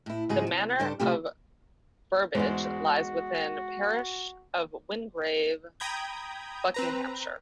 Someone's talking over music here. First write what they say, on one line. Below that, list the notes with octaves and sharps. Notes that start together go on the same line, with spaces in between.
The Manor of Burbage lies within the Parish of Wingrave, Buckinghamshire.
A2 E4
G#2 C#3 G3 G#3 F#4 G#4
C3
G2 C#3 G3 D4 A4 C5
C3 F#3 A3 E4 F4 G4
E2 G#2 G#3 F#4 C5
G5 A#5 B5 D#6 G6 G#6
C4 B4 A#5